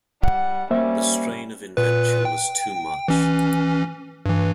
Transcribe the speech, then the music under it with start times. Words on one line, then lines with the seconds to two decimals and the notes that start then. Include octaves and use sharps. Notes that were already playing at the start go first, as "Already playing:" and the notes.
The strain of invention was too much.
0.21 G3 F#5
0.71 G3 A#3 C#4 C5 E5
1.77 A#2 B4
2.25 G5
3.08 E3 C#4
4.26 G2 E3